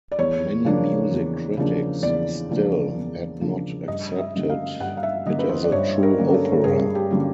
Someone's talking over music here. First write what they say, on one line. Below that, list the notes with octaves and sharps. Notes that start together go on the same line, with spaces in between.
Many music critics still had not accepted it as a true opera.
D5
E2 C#5
C#3 F3 A#3 D4
E2
C#3 F3 A#3 D4
E2 D5
C#3 F3 A#3 D4
E2
C#3 F3 A#3 D4
G2 D#5
E5
D3 F#3 A#3 C#4
F5
G2 F#5
F5
E5
D3 F#3 A#3 C#4 D#5
B4
C5
D5
G2 C#5
A#4
D3 F#3 A#3 C#4
A4
G2 G#4
G4
D3 F#3 A#3 C#4